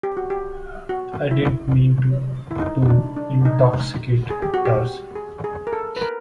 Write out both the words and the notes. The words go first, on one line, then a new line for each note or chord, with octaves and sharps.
I did not mean to — to — intoxicate Darcy.
G4
F#4
G4
F#4
E4
E4
D#4
D4
D4
D#4
G#4
G4
F#4
G4
G#4
G#4
A#4
A4
B4
A#4